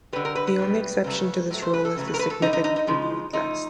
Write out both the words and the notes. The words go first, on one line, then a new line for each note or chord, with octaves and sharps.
The only exception to this rule is the "significantly viewed" list.
D3 G3 B4
A#4
B4
B4
B2 G3
C#3 F#3 A3
A2 F#3 A3
C5
B4
A4
C#3 F#3 A3
B4
A#4
B4
A4
D3 G3 D#4
D#4
D#4
D#4
C#3 F3 G#3
C#3 F3 A3 D#4